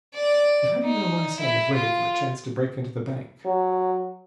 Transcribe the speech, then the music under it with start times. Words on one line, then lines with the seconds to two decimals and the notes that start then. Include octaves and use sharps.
"But how do you know my son was waiting for a chance to break into the bank?"
0.14 D5
0.83 D#4
1.40 E4
1.73 F4
3.45 F#3